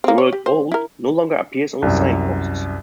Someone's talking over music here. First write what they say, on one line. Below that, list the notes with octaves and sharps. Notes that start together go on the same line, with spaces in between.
The word "Old" no longer appears on the signposts.
A#3 C4
C#5
G4
C5
E4 A#4
C2 F#2